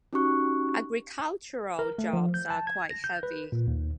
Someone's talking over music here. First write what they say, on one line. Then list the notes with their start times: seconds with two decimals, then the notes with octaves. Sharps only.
Agricultural jobs are quite heavy.
0.13 C#4 D#4 F#4 G4 C#6 F#6
1.79 A#4
1.98 A3
2.13 F3
2.34 G6
2.50 A5
2.67 G#6
2.90 A#6
3.04 G6
3.23 B4
3.52 A#2
3.67 D#2